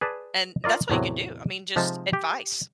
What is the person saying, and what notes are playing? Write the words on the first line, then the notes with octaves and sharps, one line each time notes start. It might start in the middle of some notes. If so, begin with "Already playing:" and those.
and, that's all you can do, I mean, just advice.
G#4 B4 D5 A5
F4 A#4 D5 D#5
E2 A2 C3 F#3
C3 F3 G#3 D#4 A5
G4